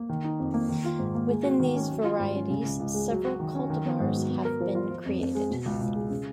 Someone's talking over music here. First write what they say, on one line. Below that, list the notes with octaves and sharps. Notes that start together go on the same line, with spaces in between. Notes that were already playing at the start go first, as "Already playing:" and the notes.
Within these varieties, several cultivars have been created.
Already playing: A#3
D#3
D#4
F2
A#3
D#3
F4
G#2
A#3
G#3
F#4
D#3
C#4
F#3
F4
G#2
C#4
C#3
C#2
C#2
G#3
F#3
F#4
D#3
C#4
D#3
B3
G#2
F#3
B3
A#4
F3
F4
F3
F2
F2
G#3
B2
C#2
C#2
G#3
C#3